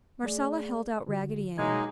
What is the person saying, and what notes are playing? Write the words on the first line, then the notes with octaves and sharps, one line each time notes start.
Marcella held out Raggedy Ann.
A3 G#4 D5
D3 F#4
B2 F#3 G#3 A#3 D#4 G#6